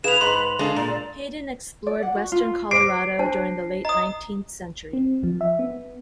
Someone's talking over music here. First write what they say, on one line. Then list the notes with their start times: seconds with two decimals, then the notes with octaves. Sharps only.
Hayden explored western Colorado during the late nineteenth century.
0.04 G#4 B4 F5 E7 F7
0.21 G#2 C6 F#7
0.59 G#3 D4 A4 F5
0.76 A#2 D5
1.87 D5
2.03 F#5
2.15 F#4
2.32 F4
2.71 C5 D6 C7 D7
3.19 D4 C5 A5
3.85 D#5 A#5 D#6
4.93 C4
5.23 F3
5.41 E5
5.59 B3